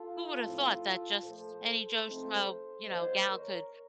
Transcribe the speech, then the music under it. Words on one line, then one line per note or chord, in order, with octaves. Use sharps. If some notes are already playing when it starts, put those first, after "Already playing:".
who would've thought that just any Joe Schmoe, you know, gal could
Already playing: F4 A4
A2 F3 C4
A#2 F3 A3 A4 C5
F3 A3 C4 D#4
D#3 F#3 A#3 C5 D#5
A#4 C#5